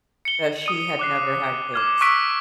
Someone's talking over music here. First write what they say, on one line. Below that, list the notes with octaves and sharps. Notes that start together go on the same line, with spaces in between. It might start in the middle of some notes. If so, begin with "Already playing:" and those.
that she had never had kids.
C#7 G7
D#6 D#7
D6 F#6 C7
D6 F6 G#6
C#6 E6 F#6 B6 D7